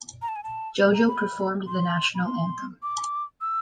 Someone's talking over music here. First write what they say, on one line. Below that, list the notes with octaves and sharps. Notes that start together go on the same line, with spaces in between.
JoJo performed the national anthem.
A#5
A5
G#5
A5
B5
A#5
B5
C6
B5
C6
D6
E6